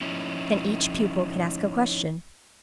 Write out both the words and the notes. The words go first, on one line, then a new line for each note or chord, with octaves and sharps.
Then each pupil could ask a question.
F3 C#4 D#4 E4